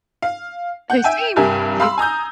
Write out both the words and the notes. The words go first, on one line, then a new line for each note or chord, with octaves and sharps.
They seem you
F5
F#5 G6
E5 G5 G#5 D#7
C2 G2 G4 A#4 E5 G#5
F5 B5 C6 E6
G#5 A#5 D#6 G6